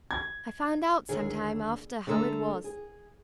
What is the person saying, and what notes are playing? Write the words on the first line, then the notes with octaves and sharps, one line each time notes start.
I found out, some time after, how it was.
G#6
D#2 D3 G#4
D3 A3 A4 A#5
G#4